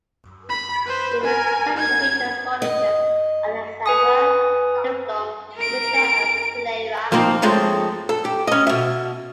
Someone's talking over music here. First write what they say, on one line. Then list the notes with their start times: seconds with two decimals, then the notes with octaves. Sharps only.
The Mist Continent features four nations: Alexandria, Lindblum, Burmecia, and Cleyra.
0.49 B5
0.86 B4 C5
1.23 A#4 G#5
1.77 G#6
2.62 D#5
3.86 B4 G#5 D#6
5.57 A#4 D7
7.12 F3 A#3 C4 D#4
7.42 F3 G#3 A3 C4 C#5
8.09 A4
8.25 G4
8.47 C#4 D#5
8.67 B2 E5